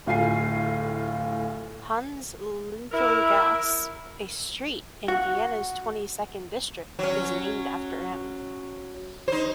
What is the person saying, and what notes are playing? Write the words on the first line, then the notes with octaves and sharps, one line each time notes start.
"Hannes-Lintl-Gasse," a street in Vienna's twenty-second district, is named after him.
D1 A2 F4 F5 G#5 C7
E4 A#4
F#4
F#3 C#4
D#4 C5